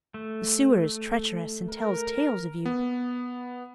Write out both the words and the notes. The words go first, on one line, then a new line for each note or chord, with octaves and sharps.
The sewer is treacherous and tells tales of you.
A3
A#4
B3